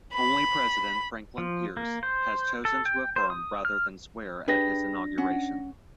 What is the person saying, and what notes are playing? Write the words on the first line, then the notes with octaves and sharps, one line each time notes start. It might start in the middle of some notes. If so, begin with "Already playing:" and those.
Only President Franklin Pierce has chosen to affirm rather than swear at his inauguration.
B5
F3
A#3
C5
A4
G5
C5
D#6
F6
D4 G4 G#4 B4 A#6
C#4 F#5